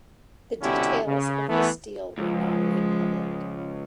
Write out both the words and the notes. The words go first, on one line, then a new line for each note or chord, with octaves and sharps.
The details of this deal were not made public.
C2 B2 D3 C#4 E4 G4
C#3
E3 A3 B3
C#2 F3 G#3